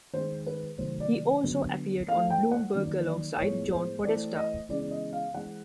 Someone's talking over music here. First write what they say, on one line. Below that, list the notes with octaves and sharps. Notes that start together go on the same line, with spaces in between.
He also appeared on Bloomberg alongside John Podesta.
D#3 G#3 C4 C5
B4
C3 D#3 F#3 A3 C5
D5
D3 F#3 B3
E3 A3 C4 F5
G5
F#5
D#3 F#3 A#3 D5
D5
A2 F3 G#3 B3 C#5
C5
E3 A3 C4 D5
D#5
C#3 E3 G#3 B3 D5
D#5
F5
E3 G#3 C4 F#5